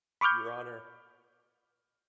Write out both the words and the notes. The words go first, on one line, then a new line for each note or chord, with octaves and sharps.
"Your honor."
B5 C#6 D6 F6 G6